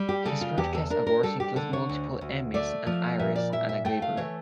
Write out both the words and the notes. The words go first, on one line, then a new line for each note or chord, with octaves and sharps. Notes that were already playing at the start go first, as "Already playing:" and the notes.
His broadcast awards include multiple Emmys, an Iris, and a Gabriel.
Already playing: G3
G4
C#3 A4
F4
E2 G4
A4
D4 A#4
A#4
G3 A4
G4
D3 A4
C#5
D2
D2
A3 D5
F3
A#2 E5
D5
E4 E5
E5
A3 G5
F5
E3 C#5